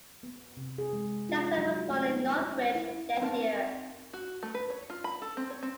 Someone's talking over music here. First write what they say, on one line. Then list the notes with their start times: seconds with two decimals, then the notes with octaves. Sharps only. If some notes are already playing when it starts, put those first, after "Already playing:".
Johnson was born in Northwich, Cheshire.
0.23 B3
0.57 C3
0.78 G#4
0.93 G#3
1.29 F4
1.58 F#3
1.90 A3
2.09 D#4
2.39 C#4
2.75 E4
3.22 C4 D#4 A#4 F5 A5
4.13 F#4
4.43 A3
4.54 B4
4.70 C#5
4.90 F4
5.04 B5
5.22 A4
5.37 C4
5.50 C#5
5.63 C4